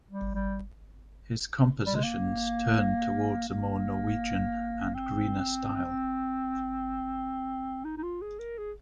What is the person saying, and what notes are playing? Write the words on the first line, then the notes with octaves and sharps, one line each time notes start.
His compositions turned towards a more Norwegian and "greener" style.
G3
G3
G3
G#3
A#3
A#3
C4
D#4
D#4
F4
G#4
A#4
G#4